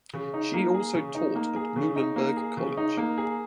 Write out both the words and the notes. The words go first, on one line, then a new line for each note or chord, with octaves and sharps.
She also taught at Muhlenberg College.
C#3
D#4
A#3
G#4
C#3
D#4
A#3
G#4
C#3
D#4
A#3
G#4
C#3
D#4
A#3
G#4